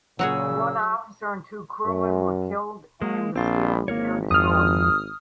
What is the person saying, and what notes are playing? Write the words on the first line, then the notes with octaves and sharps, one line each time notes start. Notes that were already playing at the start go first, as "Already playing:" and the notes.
One officer and two crewmen were killed and the steering gear destroyed.
A#2 C#3 F#3 F#4 G#4 E6
F#2
G#3 A#3
A#1 C4 F4
G#1 A#3 A#4 C#5
F2 F3 D#6 F6